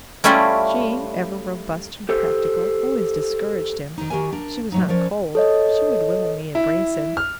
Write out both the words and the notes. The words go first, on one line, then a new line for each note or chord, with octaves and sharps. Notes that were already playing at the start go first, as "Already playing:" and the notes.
She, ever robust and practical, always discouraged him. She was not cold; she would willingly embrace him.
G3 A3 C#4 E4 F4 G4
G4 A4 C5
D#3 D#4
D#3 F#4 G4 A#4 G#5
D4 A#4
A2 F#3 D#4
F3 C#4 A#4 D5
A4 C#5 D#5
E4
F6